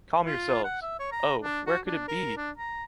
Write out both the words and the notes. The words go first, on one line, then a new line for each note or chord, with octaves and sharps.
Calm yourselves! Oh, where could it be?
F4
F#5
E5
C#5
A#5
D4
F#4
D4
A#4
D4
A#5